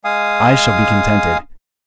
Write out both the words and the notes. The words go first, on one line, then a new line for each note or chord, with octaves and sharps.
I shall be contented.
G#3 F5 G#5 D#6